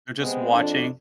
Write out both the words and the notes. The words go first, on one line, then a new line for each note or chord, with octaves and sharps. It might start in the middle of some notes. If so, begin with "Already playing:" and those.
They're just watching
C3 G#3 B3 C4
F2 D4